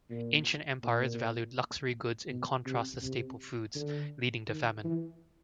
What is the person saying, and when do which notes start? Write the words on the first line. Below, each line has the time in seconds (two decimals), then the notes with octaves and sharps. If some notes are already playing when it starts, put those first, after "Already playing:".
Ancient empires valued luxury goods in contrast to staple foods, leading to famine.
0.10 A#2
0.83 A#2
2.29 B2
2.66 C3
3.02 C3
3.75 D3
4.49 D#3
4.84 E3